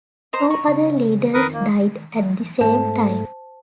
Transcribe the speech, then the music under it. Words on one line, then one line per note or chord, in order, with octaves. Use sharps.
Two other leaders died at the same time.
C5 D#5 A#5
C#6
C#3
F2 D#3 A#4 B4 D#6
A#3
G#2 A3 C5 A5